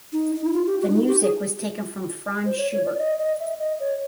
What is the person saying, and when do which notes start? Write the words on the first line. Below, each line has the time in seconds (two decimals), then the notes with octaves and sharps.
The music was taken from Franz Schubert.
0.13 D#4
0.35 D#4
0.44 E4
0.53 F4
0.66 G4
0.81 F#4
0.89 D4
0.95 D#4
1.07 G4
1.22 G#4
2.46 C5
2.58 C#5
2.72 C#5
2.85 D5
2.98 D#5
3.19 D#5
3.40 E5
3.59 D#5
3.80 C#5